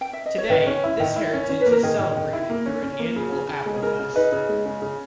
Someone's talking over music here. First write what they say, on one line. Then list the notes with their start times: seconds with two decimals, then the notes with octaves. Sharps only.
Today, this heritage is celebrated through an annual Applefest.
0.01 G5
0.13 E5
0.26 D#5
0.38 C#5
0.50 D#3 B4
0.67 C#4
0.84 E4
1.00 D#3
1.16 E4
1.33 C#4
1.49 C#4
1.61 B4
1.66 A#3
1.72 A#4
1.83 D#3 G#4
1.99 D#3
2.16 D#3
2.33 E4
2.50 A#3
2.66 C#4
2.83 C#4
2.99 A#3
3.16 C#3
3.32 C#3
3.49 C#3
3.66 G#3
3.76 G#4
3.82 C#3 A#4
3.99 C#3
4.15 D#4 B4
4.32 C#3
4.49 G#3
4.66 C#3
4.82 C#3